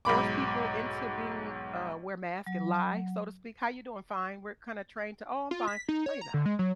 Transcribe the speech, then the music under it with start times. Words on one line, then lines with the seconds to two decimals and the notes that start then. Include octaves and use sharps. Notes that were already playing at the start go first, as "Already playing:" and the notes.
force people into being, uh wear masks and lie, so to speak. "How you doing?" "Fine." We're kinda trained to, "Oh, I'm fine," no, you're not.
0.05 B1 G#2 B5 D6
2.47 F#3
5.51 F4
5.67 B6
5.89 D#4
6.06 C#5
6.21 A#5
6.34 D3
6.46 G#3
6.59 F#3